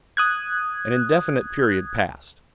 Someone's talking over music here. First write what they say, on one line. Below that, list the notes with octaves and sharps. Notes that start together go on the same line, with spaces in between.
An indefinite period passed.
D#6 F#6 G#6